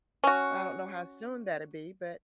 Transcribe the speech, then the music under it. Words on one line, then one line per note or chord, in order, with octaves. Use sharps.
I don't know how soon that'll be, but
C#4 F#4